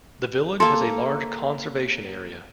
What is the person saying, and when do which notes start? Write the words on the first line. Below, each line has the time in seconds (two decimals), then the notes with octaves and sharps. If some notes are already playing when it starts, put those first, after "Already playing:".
The village has a large Conservation Area.
0.60 A#3 A4 C6